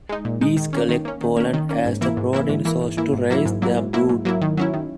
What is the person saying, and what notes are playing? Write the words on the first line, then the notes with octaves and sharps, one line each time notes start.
Bees collect pollen as a protein source to raise their brood.
G#3 D#4
A#2
G#3 D#4
D#3
A#3 C#4
D#3
A#3 C#4
D#3
A#3 C#4
D#3
A#3 C#4
G#2
E3 A#3 E4
G#2
E3 A#3 E4
G#2
E3 A#3 E4
G#2
E3 A#3 E4
G#2
F#3 A#3 E4
G#2
F#3 A#3 E4
G#2
F#3 A#3 E4
G#2
F#3 A#3 E4
D#3
F#3 C#4 E4
D#3